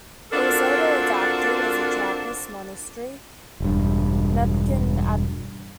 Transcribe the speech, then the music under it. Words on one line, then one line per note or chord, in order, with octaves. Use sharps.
It was later adapted as a Trappist monastery, Mepkin Abbey.
C4 D4 F4 F#4 A4 A#4
E1 G2